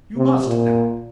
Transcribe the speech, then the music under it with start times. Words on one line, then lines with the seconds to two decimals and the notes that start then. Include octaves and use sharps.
You must, now!
0.17 C3
0.47 A#2